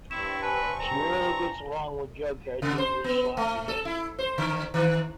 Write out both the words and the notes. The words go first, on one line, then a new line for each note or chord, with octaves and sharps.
She rarely gets along with Jughead due to his sloppiness.
G2 C4 E4 C#6 E7
B4 G#5 A5
A#5
C#3
C5
B3
A3
A4
E4
C5
D3
D#3